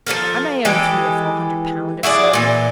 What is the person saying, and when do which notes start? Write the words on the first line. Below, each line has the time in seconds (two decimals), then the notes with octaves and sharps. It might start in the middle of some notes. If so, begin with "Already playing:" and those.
"I may owe three or four hundred pounds or so."
0.07 F3 G3 A4 A#4
0.65 E3 G#3 G4 A4
2.03 E4 F#4 G#4 D5
2.33 A#2 E3